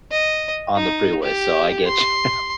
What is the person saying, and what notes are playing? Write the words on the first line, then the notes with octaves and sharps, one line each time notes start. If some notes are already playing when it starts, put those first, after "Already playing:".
on the freeway, so I get you,
D#5
D#4
G4
C6